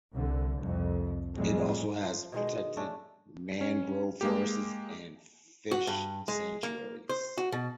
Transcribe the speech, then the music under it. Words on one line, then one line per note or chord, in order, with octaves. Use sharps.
It also has protected mangrove forests and fish sanctuaries.
C2 D3
C2 F2
F2 A2 G3 G#3
F3
B2 D#3 G#3
D#5
A3 C#4 D4
C#4
G#3 A#3 G4
F#4
G2
G#3
A#3
C5
F#4
B2